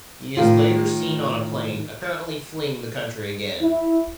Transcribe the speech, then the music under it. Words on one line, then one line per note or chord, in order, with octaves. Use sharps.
He is later seen on a plane, apparently fleeing the country again.
A2 D#3 F4
E4